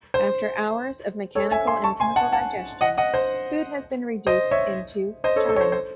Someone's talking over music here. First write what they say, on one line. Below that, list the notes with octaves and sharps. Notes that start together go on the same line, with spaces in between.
After hours of mechanical and chemical digestion, food has been reduced into chyme.
C5
A4 C#5
E5 G#5
G#5 C6
A5 C#6
G#5 C6
F#5 A5
F#5 A5
D#5 F#5
D#5 F#5
C5
C5 D#5
C#5 E5
C5 D#5
A4 C#5
A4
C#5
C5
C5